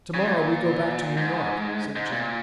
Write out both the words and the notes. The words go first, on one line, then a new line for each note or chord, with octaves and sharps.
"To-morrow we go back to New York," said Jim.
C#3
A#2
G#2
G#2
A#2